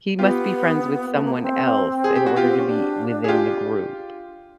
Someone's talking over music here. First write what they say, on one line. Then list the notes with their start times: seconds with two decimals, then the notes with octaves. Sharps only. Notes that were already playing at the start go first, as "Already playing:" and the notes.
he must be friends with someone else in order to be within the group.
0.19 B3 F4 G4
1.15 A3
1.25 A#3
1.33 B3
1.43 C4
2.04 G#4
2.15 G4
2.26 F#4
2.36 B3 F4 G4
2.49 C4
2.57 C#4
2.67 D4
3.24 G#4
3.28 F4 G4